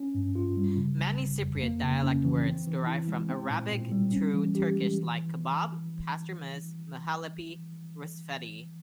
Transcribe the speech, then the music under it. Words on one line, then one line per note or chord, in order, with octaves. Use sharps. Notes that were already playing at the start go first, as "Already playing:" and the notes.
Many Cypriot dialect words derive from Arabic through Turkish like: "kebab, pastourmas, mahalepi, rusfeti".
Already playing: C#4
G2
F4
G3
C#3
G1
G1
F2
A#3
C#3
C#4
E3
C4
E3
E4
G#3
C4
A#2
A#2
G3
C#4
E3
G4
G#3
E3